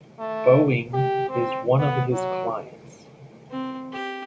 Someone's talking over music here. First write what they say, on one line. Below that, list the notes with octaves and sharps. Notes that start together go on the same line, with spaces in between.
Boeing is one of his clients.
A3
G4
C4
B3
F#3
C4
G4